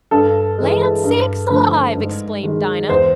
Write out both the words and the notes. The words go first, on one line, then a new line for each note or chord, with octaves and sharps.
"Land sakes alive!" exclaimed Dinah.
G2 A4
E3 G#3
G2
D3 F3 A3
G#2
D#3 G#3
E2 C5